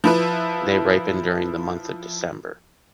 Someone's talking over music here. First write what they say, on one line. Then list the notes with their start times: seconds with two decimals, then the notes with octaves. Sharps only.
They ripen during the month of December.
0.04 F3 E4 B4